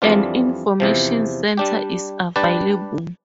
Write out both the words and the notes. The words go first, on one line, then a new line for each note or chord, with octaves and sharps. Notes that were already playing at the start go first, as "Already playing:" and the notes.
An information centre is available.
F2 E3 G3 D4 F4
E2 C3 F3
G3 D4 G4
G3 D4 G4 B4 D5